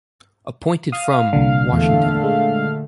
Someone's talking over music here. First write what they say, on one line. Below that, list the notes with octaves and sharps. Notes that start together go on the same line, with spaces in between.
Appointed from: Washington.
F5 D#6
C2 A#2 D3 F5
E2 A#2 D3 A3
G#3